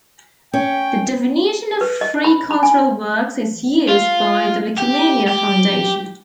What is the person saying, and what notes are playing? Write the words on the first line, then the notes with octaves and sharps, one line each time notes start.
The "Definition of Free Cultural Works" is used by the Wikimedia Foundation.
C#4 G5
B4
D#5
B5
B5
G#5
F4
G4
G4